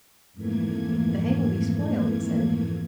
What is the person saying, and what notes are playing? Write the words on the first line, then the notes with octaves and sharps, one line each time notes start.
"The hay will be spoiled," he said.
F2 G#2 E3 A3 A#3 G#6